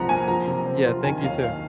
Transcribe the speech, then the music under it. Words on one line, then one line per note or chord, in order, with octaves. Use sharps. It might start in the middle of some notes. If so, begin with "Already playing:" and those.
Yeah, thank you, too.
Already playing: C2 A#2 F3 G#3 F#5 A#5
A#3 G#5
F3 A#5
C3
C4
F4
D#3 G#5
D#2 F5
A#3 F5